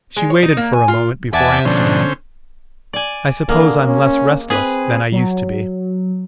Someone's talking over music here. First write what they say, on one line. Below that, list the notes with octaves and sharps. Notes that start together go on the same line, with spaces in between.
She waited for a moment before answering: "I suppose I'm less restless than I used to be."
G#3
C#5
D#4
A#3
G#5
F4
E2 D5 E5 F#5 G#5 A5 D6
B2 D3 F3 C#4 D4 C5
D5 G#5
D3 G#3 A#3
C#4
C4 G#4 B4
F#3